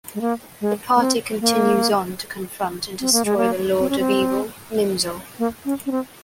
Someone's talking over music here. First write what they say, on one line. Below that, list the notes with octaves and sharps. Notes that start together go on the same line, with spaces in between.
The party continues on to confront and destroy the lord of evil, Nimzo.
G#3
A#3
G#3
A#3
C4
A#3
C4
A#3
G#3
A#3
C4
C#4
C4
A#3
C#4
C#4
C4